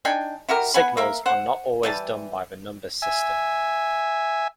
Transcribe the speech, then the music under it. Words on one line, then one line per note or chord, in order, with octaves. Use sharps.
Signals are not always done by the number system.
D4 D#4 G5 G#5
E4 F#4 G4 A#4
B3 F#5 G#5 B5
A#3 A#4 E5
C5 F#5
E3 G3 A5
E5 G#5